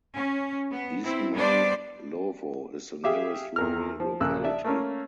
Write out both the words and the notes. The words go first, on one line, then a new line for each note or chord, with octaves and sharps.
Izmaylovo is the nearest rural locality.
C#4
B3
C4 E4
G3 B3 D4 C5 D5
G4 G#4 E5 F5 D6
E2 A#4 F6
F3
A#1 A#2 C#3 A4 E6 F#6
D5 E5 A5
A3 A#3 C#4